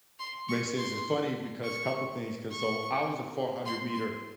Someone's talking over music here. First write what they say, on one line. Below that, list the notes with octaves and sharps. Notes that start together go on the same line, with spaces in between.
Makes sense. It's funny because- a couple things- 'cause so I was a four-hundred-meter
C6
C#6
C6
C#6
C#6
C6
C6